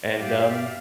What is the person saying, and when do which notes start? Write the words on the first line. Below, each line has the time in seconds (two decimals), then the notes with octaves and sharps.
and, um,
0.18 G2 G4 D5 E5 F5